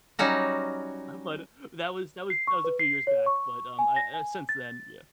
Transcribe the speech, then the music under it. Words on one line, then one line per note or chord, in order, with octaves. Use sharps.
But that was that was that was a few years back, but, um, I I since then yeah.
F#3 G3 C#4 D#4 F#4
C7
C#6
B4
C7
C#5
C#6
G#5
A#6
G#5
A6